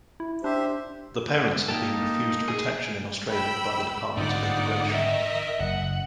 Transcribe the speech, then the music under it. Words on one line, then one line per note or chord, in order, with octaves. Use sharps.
The parents had been refused protection in Australia by the Department of Immigration.
E4
D4 G4 C5 E5
A#3 D#4 G4 A4
G#4
G5 B5 E6
G#2 D3 D#4 F4 D5 F#5
A#4 D#5 E5 G5
F#1 F#5